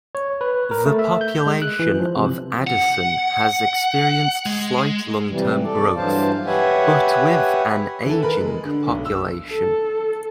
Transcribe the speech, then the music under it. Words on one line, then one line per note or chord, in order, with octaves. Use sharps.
The population of Addison has experienced slight long-term growth, but with an aging population.
C#5
B4
A#4
A3
E5
G6
G#3
F#6
E3
F3
C3
F#5
G#3
C3 E3 G3
A4 D5
G2 E3 F#3 C5 F5 A5
G4 B4 C#5 E5 F#5 G#5
E3 A4
A#4 B4 B5
G#3
D3
B1
E6
A4